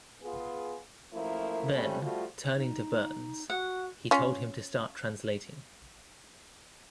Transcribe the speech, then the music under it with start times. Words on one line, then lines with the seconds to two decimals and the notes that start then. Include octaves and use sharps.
Then, turning to Burns, he told him to start translating.
0.22 B3 F4 G#4
1.13 F#2 F3 A3 A#3 E4
1.71 F3 G3 A3 C4 C#4
2.02 F3 G3 A3 F4 F#4
2.56 D#4
3.50 F#4 F#5
4.11 C#4 F4